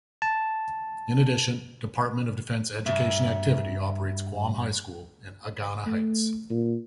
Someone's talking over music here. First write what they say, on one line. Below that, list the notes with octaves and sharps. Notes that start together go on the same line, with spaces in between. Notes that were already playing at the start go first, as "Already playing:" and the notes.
In addition, Department of Defense Education Activity operates Guam High School in Agana Heights.
A5
G2 E5
A3
A#2